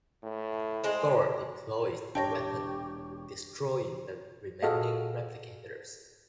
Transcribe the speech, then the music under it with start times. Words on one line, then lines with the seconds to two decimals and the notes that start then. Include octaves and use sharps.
Thor deploys the weapon, destroying the remaining replicators.
0.23 A2
0.84 G#3 C4
2.15 E1 D4 G4 C#5 G5 A5 A#6
4.62 F#4 G#4 A4 D#5 F5